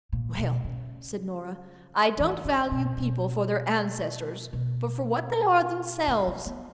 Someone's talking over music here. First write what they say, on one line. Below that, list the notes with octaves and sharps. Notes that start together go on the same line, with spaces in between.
"Well," said Nora, "I don't value people for their ancestors, but for what they are themselves."
A#2
B2
C#3
E3
C#3
B2
B2
B2
C#3
B3
B3